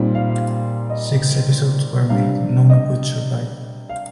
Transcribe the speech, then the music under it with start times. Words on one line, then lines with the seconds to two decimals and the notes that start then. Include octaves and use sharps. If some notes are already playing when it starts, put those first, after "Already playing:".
Six episodes were made, none of which survive.
Already playing: A#2 G3 C4 D#4
0.15 F5
0.30 F5
0.90 D#5
2.09 C3 G3 D4 F5
2.70 D#5
3.89 F5